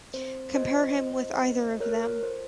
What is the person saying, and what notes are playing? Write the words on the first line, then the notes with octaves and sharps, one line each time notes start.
Compare him with either of them.
C4 C5
F4 C5 D#5
C4
F4
A4 A#4 C#5
F4 C5